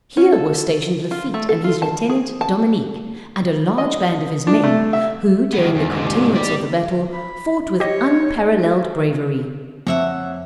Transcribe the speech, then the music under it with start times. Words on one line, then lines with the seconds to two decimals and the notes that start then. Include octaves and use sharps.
Here was stationed Lafitte and his lieutenant Dominique and a large band of his men, who during the continuance of the battle, fought with unparalleled bravery.
0.17 C#4
0.32 A4
1.11 F4
1.34 A3
1.49 A4
1.64 F4
1.82 A5
2.09 G#4
2.41 A5
3.78 D#5
4.47 D4
4.63 A3
4.93 E5
5.53 D#3 B3
5.76 E2
5.91 G#2 C3
6.35 G4 D5
7.13 B5
7.80 G4 C#5 D#5
9.87 F2 C#5 E5 F#5